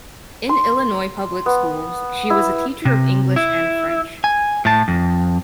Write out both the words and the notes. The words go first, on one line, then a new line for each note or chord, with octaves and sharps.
In Illinois public schools, she was a teacher of English and French.
C6
B3
E4
C3
E4
G#5
A2 A5
F2